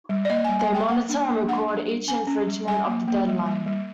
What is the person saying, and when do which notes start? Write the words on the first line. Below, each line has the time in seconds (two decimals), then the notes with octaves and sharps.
They monitor and record each infringement of the deadline.
0.09 G3
0.25 D5
0.30 A#3 D#5
0.44 G3 G#5
0.59 G#5
0.70 G3 G5
0.89 A#3 F#5
1.09 D4
1.29 A#3
1.48 D4 F#5
1.68 D4
1.88 G3
2.07 C#4 G#5
2.27 C#4
2.47 G3
2.67 G3 G#5
2.87 A#3
3.08 A#3
3.27 G3
3.46 G3
3.66 G3